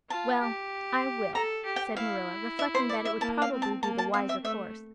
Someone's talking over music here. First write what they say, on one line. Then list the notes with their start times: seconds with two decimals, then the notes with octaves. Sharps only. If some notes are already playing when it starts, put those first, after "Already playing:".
"Well, I will," said Marilla, reflecting that it would probably be the wiser course.
0.10 F4 A5
0.41 G4
1.35 A4 A#5
1.65 G4
1.76 G5
1.97 E4 F5
2.59 E5
2.75 C5
2.89 D5
3.05 E5
3.20 A#3 A5
3.42 F5
3.52 C4
3.62 A5
3.83 A#3 A5
3.98 A5
4.14 C4 F5
4.29 E5
4.45 A3 E5